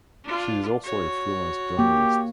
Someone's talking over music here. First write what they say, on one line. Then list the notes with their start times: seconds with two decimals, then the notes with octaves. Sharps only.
She is also a freelance journalist.
0.24 D4 F4
0.84 F#4 C#5
1.79 A#3 G4